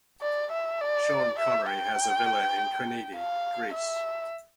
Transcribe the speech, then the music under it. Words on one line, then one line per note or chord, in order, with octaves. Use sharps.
Sean Connery has a villa in Kranidi, Greece.
D5
E5
D5
E5
G5
F5
E5